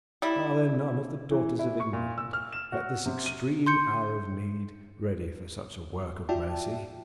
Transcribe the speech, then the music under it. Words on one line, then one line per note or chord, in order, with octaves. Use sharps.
Are there none of the daughters of England, at this extreme hour of need, ready for such a work of mercy?
G3 E4
E3
E4
C#6
A#2
E6
F6
E7
F#4
C3
D#7
C6 G6 C#7
F4 F#4 D5 E5 G5 A5